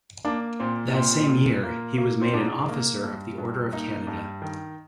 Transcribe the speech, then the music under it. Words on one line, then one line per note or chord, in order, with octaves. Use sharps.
That same year, he was made an Officer of the Order of Canada.
A#3 D4
A#2 C4
A#2 C4
A#2
A#3
A#3
C4
G#2 D4
A#3
G2
G2
A#3 D#4
G2
D#3